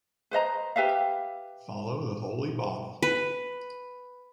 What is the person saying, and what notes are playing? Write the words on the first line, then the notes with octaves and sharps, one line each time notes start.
Follow the holy bottle!
B4 C5 D#5 A#5
G4 B4 E5 F5
B4